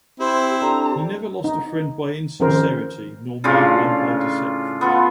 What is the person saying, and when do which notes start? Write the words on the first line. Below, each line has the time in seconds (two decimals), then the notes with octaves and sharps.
He never lost a friend by insincerity nor made one by deception.
0.20 C4 E4 G4 C5
0.62 D4 G4 A4 A#5
1.44 D#4
2.40 D#3 F3 C#4 G#4 A#4 C5
3.44 A2 C#3 D4 F4
4.81 B3 F4 A4